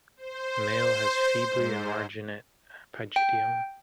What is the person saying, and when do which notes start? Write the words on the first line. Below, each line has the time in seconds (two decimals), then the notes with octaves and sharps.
Male has feebly emarginate pygidium.
0.17 C5
1.50 G#2
3.16 G5